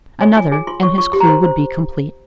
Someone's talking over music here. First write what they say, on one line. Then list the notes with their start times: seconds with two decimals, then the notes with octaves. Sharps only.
Another, and his clue would be complete!
0.21 C#5 G#5
0.37 F4 G#5
0.51 G#4 G#5
0.67 F4 C6
0.82 C#5 C#6
0.98 F4 C#6
1.13 G4 C6
1.20 A#5
1.27 C5 C6
1.44 C5